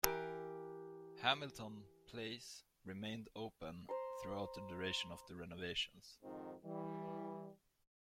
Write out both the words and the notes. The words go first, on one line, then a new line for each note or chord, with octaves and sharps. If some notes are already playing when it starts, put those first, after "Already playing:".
Hamilton Place remained open throughout the duration of the renovations.
E3 G4 A#4
C5 A#5 C6
F2 G#2 D#3 F3 C4 D#4
E3 G3